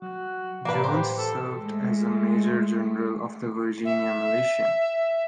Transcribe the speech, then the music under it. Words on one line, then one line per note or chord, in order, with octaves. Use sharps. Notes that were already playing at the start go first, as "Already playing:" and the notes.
Jones served as a major general of the Virginia militia.
F#3 F#4 F#6
A2 E3 A#3 D4 B4
G4 C5
A4
G#3 A3
E5